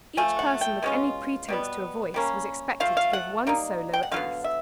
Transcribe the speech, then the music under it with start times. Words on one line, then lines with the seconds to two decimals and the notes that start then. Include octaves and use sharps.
Each person with any pretence to a voice was expected to give one solo at least.
0.17 F3 A3 G#5
0.39 F#5
0.61 G5
0.82 B2 G#3 C#4 F4
1.49 B2 G3 B3
2.14 G3 A#3 C#4
2.80 F3 A3 F5
2.97 F5
3.13 F#5
3.47 G3 A#3 D#4
3.93 G5
4.03 F#5
4.12 D3 F#3 B3 F5
4.44 E5